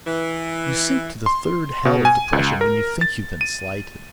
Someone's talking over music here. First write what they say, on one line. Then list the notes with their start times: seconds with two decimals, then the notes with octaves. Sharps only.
You sink to the third hell of depression when you think you've been slighted.
0.06 E3
1.26 C6
1.85 B2
2.05 G#5
2.33 C#2
2.61 A#4
3.01 A6
3.41 D#7